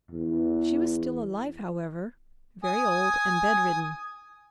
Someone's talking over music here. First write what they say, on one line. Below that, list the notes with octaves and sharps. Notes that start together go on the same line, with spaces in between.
She was still alive, however, very old, and bedridden.
E2
G#5 D#6